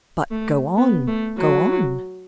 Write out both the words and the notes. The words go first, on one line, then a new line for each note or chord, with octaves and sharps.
But go on, go on.
A3
B3
A3
F#3